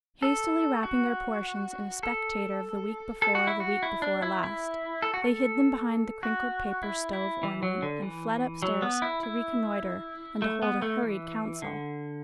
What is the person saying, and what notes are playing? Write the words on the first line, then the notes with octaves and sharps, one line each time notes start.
Hastily wrapping their portions in a Spectator of the week before the week before last, they hid them behind the crinkled-paper stove-ornament, and fled upstairs to reconnoitre and to hold a hurried council.
A4
F#4
A4
A4
F#4
E4
F#4
E4
D4
E4
E4
A4
F#4
A4
F#4
E4
E4
E3
F#3
D3
E3
F#3
B3
E4
E4
A3
B3
A3
E3
D3